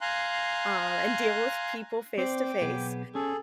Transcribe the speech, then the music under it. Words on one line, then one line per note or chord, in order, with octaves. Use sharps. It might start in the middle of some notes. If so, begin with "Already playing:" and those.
um, and deal with people face to face.
F5 G#5 A#5 C6 F#6
C4 C5 D5 G5 D6
B1 B3 G#4
C#4 G#4 A4